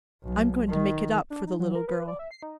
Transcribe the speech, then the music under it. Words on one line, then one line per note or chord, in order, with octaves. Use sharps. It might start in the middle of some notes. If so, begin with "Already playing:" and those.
I'm going to make it up for the little girl.
B1
D#3
D4
D#4
F#3
A#4
B4
D5
E5
C7
D#4